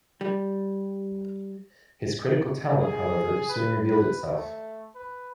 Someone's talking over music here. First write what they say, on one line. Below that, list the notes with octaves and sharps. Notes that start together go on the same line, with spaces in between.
His critical talent, however, soon revealed itself.
G3
G#4
B4
B4
A3
B4